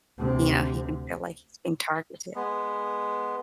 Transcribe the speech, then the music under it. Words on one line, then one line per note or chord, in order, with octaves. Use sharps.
you know, he can feel, like, he's being targeted.
D2 C3
G#3 B3